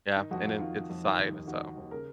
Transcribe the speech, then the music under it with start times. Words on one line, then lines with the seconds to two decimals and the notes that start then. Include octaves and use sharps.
yeah, and then it's a side, so
0.16 D#3 D#4
0.31 F2 F#4
0.45 F2 F4
0.60 D#3 F4
0.74 D#3
0.89 F2
1.03 D#3
1.19 D#2
1.33 D#2
1.47 D#3 F#4
1.63 D#3
1.77 D#2
1.91 C#3 A#4